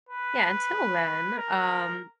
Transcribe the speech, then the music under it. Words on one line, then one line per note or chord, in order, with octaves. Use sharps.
Yeah, until then, um
B4
A#4